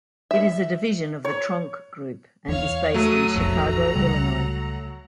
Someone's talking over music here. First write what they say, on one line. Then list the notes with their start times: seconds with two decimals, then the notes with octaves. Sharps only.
It is a division of the Tronc group, and is based in Chicago, Illinois.
0.31 E5
1.25 C#5
2.49 E2 C#5 F5
2.94 F#3 A3 D#6
3.36 F1 A#1 F2 F#5 A#5
3.95 C#2 C#3 G3